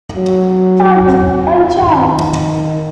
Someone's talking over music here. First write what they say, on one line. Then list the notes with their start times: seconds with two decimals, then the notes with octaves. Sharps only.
Part of the Punch-Out!!
0.17 F#3
1.76 D#3